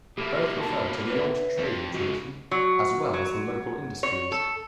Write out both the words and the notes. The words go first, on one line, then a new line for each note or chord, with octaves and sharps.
Both refer to the old trading tradition as well as the local industries.
B2 A#3 G4 A4 E5
A5
B4 C#5 E5
F2
G#2 C#3 F#4
F#3
F#3
C#5
A4